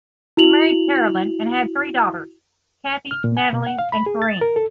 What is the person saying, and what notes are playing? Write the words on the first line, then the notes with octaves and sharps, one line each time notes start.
He married Carolyn and had three daughters; Kathie, Natalie and Karine.
E4 F#4 F7 F#7
F6
A#2
G#5
B2
F#5
F5
B5
G#4
A6
A#4
A4